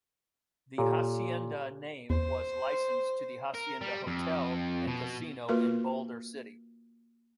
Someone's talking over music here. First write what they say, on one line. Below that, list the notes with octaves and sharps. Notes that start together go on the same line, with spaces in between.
The Hacienda name was licensed to the Hacienda Hotel and Casino in Boulder City.
A#2 G4 A4 C#5
E2 C5
A#4
G3
F2
B2
A#3 F4 F#4 A#4 B4